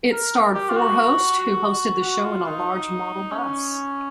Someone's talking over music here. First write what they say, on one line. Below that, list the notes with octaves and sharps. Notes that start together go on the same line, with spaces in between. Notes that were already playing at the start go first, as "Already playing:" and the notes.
It starred four hosts, who hosted the show in a large model bus.
A#4
G4
F4
F#4
F#4
F#4
F4
D#4
C#4